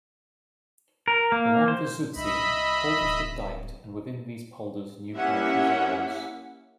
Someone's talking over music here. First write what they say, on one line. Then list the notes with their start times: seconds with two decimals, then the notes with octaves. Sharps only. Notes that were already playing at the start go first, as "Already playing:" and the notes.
Around the Zuudzee, polders were diked, and within these polders, new parishes arose.
1.08 A#4
1.32 A#3
1.68 C5
2.16 C2 D#5 E5 B5
3.01 D1
5.15 A#3 C#4 E4 G4 E5 F#5